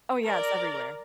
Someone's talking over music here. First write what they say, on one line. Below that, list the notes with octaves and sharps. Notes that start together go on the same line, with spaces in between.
Oh, yeah, it's everywhere.
A#4 D5